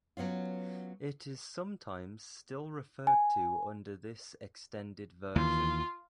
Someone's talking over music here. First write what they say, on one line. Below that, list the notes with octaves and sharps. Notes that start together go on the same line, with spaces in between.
It is sometimes still referred to under this extended version.
F#3 B3 C#4 F4
G#5
D#2 E3 F4